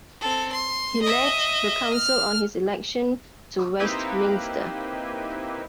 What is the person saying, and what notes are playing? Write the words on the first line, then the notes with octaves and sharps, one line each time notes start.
He left the council on his election to Westminster.
C4 A4
C6
D#5 E5
F6
A#3 C4 D#4 E4 G4 B4